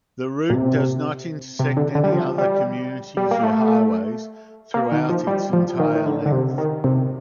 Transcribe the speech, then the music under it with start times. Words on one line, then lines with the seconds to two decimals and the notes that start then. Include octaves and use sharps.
The route does not intersect any other communities or highways throughout its entire length.
0.50 A#2
0.55 C3
1.59 C3
1.77 D3
1.95 D3
2.04 G3
2.12 F3
2.38 G3
3.17 G3
3.31 A#3
3.43 A3
4.74 A#3
4.92 D#3
5.09 F3
5.27 G3
5.53 F3
5.80 D#3
5.95 D#3
6.06 D3
6.26 D3
6.32 C3
6.58 D#3
6.84 C3